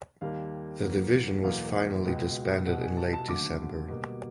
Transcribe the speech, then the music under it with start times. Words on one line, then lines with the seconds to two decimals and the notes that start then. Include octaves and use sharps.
The division was finally disbanded in late December.
0.21 D#2 D#3 G3 A#3 F5
0.83 E2 C#3 F#3 A#3
1.43 E2 B2 F#3 A#3 F5
2.05 C#2 B2 G#3
2.66 C2 B2 G3 F#5
2.82 G#5
2.97 A5
3.13 A5
3.28 D#2 D3 F#3 A3 D6
3.89 B2 G3 A#3